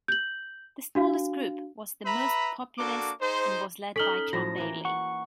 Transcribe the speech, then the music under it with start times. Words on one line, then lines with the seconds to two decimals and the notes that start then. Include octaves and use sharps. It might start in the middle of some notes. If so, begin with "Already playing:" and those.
The smallest group was the most populist and was led by John Bailey.
0.08 G6 F#7
0.95 D4 F#4 F5
2.05 B4 E5 A#5 B5
2.78 A#3 D4 F#4 A4 D6
3.20 D#4 G#4 C5
3.96 C#4 D#4 A4 F6 B6 F#7 G7
4.33 A2 F3 F#4 A#6
4.58 E3 A#3
4.85 F#5 C#6